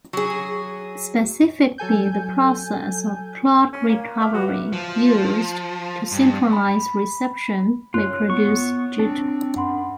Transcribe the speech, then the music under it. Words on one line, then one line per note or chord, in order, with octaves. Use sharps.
Specifically the process of clock recovery used to synchronize reception may produce jitter.
F#3 G#4
F#3 A4 G#5 G6
C#4
A#3
E5 D6 F6
F#3 F#4 B4
F3
G2
B5
F#2 F4 C#5 F#6
B3 C#6
C4 D4
F#2 F#5 B5 C6